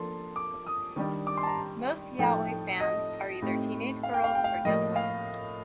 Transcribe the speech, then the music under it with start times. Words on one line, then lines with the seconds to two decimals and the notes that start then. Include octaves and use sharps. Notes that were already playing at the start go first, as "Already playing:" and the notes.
Most yaoi fans are either teenage girls or young women.
Already playing: F3 A#3 D4 A4 C6
0.36 D6
0.67 D#6
0.96 D#3 G3 D4 G4
1.27 D6
1.37 C6
1.43 A5
1.47 A#5
2.19 A2 F3 A3 D#4 A4 G5
2.80 D#5
3.42 A2 A3 C4 D#4 G4
4.03 F5
4.14 G5
4.24 F5
4.35 G5
4.44 F5
4.65 A2 F3 A#3 D#5
4.96 F5